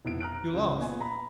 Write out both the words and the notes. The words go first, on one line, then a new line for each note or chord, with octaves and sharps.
You laugh!
F1 B3 E4 D7
A#5 F6 F#6 D7
C#2
A#2 B3 G#5
A#5 B5